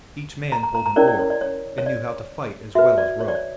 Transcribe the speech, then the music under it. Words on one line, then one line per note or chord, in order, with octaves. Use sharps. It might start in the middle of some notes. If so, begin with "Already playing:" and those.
Each man pulled an oar, and knew how to fight as well as row.
A#5
A#5
A#5
A#5
C#4 E4 A#4 C#5 D5
D5
C#5
D5
C#5
C#5
D5
F#4 B4 E5
D5
C#5
D5
C#5